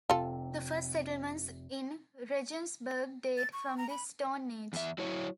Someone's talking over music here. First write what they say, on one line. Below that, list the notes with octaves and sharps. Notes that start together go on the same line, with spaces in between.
The first settlements in Regensburg date from the Stone Age.
F1 C3 F4 A4
A6
C#6
A#5
B5
E2 E5
F#3 E4 C#5